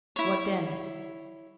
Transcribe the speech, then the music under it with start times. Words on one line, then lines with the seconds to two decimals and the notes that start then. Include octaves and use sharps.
What then?
0.16 E4 C#5